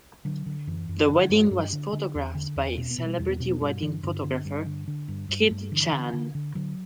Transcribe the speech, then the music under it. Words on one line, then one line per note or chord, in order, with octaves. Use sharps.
The wedding was photographed by celebrity wedding photographer Kid Chan.
D3 F#3
D3
F#2 E3
F#2
D3
G2
G2 D4
D3
D3
E2
D3
E2
B2 C#4
B3
B2
G3
E2 G3
B3
B2 C#4
B3
G2 G3
D3 E3
G2 D3
D3
G2
D3
D3
G2
G2
G2
D3 E3
D3
D3
D3
D3 F#3